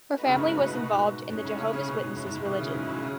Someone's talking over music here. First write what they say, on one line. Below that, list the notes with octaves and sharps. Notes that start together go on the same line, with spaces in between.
Her family was involved in the Jehovah's Witnesses religion.
A3 D#4 F#4 B4
C#3
A2
G#2
A2
B2
B2
G#2
G#2 C#4 G#4 C#5
A2
C#3
C#3
B2
G#2
A2
G#2
A2
B2 F#3 C#4 E4 G#4
D#3
C#3
G#2
A2
C#3